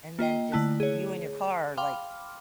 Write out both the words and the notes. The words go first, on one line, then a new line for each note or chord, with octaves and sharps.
and then, just, you and your car are, like,
A#3 F4 D#5 G5
D3 A3 E4 A5 F#6
G#4 C#5
F5 G5 B5 C6 D6 F6